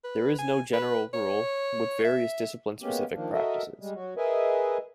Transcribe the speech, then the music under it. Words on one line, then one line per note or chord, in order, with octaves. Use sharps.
There is no general rule, with various discipline-specific practices.
B4
G#5
B4
C#5
E5
G#3 A#3 B3 C#4 G4
D#3 F3 A#3 D4
F#4 A4 A#4 D#5 E5
G3 G#3
F#3 F#4
G#4 A#4 B4 D#5 E5 G#5